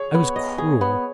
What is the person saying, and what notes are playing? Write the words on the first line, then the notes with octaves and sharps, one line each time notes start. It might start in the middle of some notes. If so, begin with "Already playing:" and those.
I was cruel!
Already playing: G#4 C#5
B3
D#5
G#4
B3